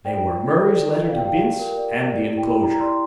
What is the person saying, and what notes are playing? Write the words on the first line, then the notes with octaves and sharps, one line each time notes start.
They were Murray's letter to Bince and the enclosure.
D5 G5
F4
F4
A4
D5
F4
D5 F5
G5
G4 F5
G4
A#4
D5
G4
D5
E4
G5
E4
G4 A#5
D5 C6